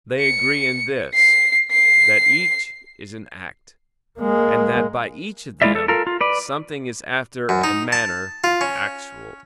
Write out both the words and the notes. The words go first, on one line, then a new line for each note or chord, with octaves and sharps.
They agree in this, that each is an act; and that by each of them something is after a manner actual.
C#7
C7
C7
G#3 A#3
G#3 A#3 E4 F4 D5 E5
A4
F4 A4 A#4
F4
B4 D5
F#2
D#4
A5
F4
C#4